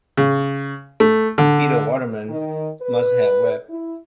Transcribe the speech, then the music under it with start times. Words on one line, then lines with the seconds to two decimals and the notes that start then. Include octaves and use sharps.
Pete Waterman must have wept.
0.17 C#3
1.00 A3
1.38 D3
2.29 D#3
2.81 B4
3.69 E4